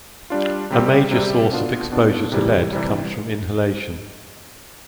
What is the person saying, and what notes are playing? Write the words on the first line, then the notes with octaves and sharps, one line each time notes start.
A major source of exposure to lead comes from inhalation.
G3 D4 F4
C3 G3 C4 G4
C3 G3 C4 G4
B2 B3 D4 F4
B2 B3 D4 F4
C3 E3 G3
C3 E3 G3